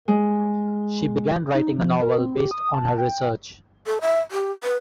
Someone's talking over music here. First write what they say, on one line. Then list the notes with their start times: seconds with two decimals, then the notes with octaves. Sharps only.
She began writing a novel based on her research.
0.08 G#3
1.54 D#4
1.78 F3
2.01 A#4
2.18 C4
2.37 G4
2.51 D#6
2.74 A5
2.98 G5
3.87 A4
4.01 E5
4.31 G4
4.63 B4